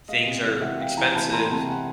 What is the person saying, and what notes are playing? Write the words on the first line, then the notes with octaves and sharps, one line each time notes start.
things are expensive,
G#3 D#5 F5
C3
E3
C3 E5 F#5
G#3 F5 G5
E3 G#5 A#5
E3 A5 B5
G#3 A#5 C6
C3 A5 B5
F#5 G#5